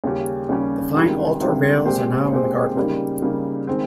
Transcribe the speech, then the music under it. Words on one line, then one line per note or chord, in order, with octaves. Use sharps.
The fine altar rails are now in the Guard Room.
D#2 C#3 G3 C#4 G4
D#2 C#3 G3 C#4 G4
C#2 C3 D#3 G3
C#2 C3 D#3 G3
A#2 G#3 C4 G4 C5
A#2 G#3 C4 G4 C5
C#3 G3 A#3 D#4
C#3 G3 A#3 D#4
D#3 G#3 C4